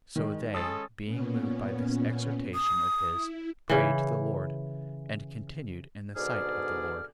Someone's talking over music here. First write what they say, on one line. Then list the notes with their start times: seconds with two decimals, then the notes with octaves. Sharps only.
So they being moved by this exhortation of his, prayed to the Lord, and continued in the sight of the Lord.
0.16 D#3 G#3
0.54 G#3 C#4 A4 D#6 A6
1.06 A#2 B3 C#4
2.54 D#6
3.08 E4
3.69 C#3 E3
6.16 G#2 B2 D3 G#4 D5 F6